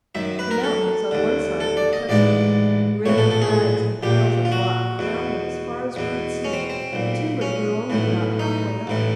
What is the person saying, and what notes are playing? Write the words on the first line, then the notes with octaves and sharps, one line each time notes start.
The mountains on one side were crested; great crags and piles of rock crowned them as far as we could see; timber grew only about halfway up.
F#2 D#3 E5
B4
A#4
A4
D#2 D3
A4
D5
D#5
A1 G#2 E3 D5
A#1 A2 E3 C#5
A4
A4
G#4
A#1 A#2 G4
F4
F#4
E2 B2
E2 B2
C#4
C4
C4
B1 A#2
C#4
B1 A2 E3
D#4
A1 A2 E3